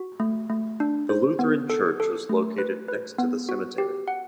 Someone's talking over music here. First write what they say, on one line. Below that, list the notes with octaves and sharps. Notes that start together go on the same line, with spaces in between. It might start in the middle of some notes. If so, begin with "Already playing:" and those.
The Lutheran church was located next to the cemetery.
Already playing: F#4
A3
A3
D4
C5
B3
A4
A4
A3
B4
B4
B3
F#4
G4
F#5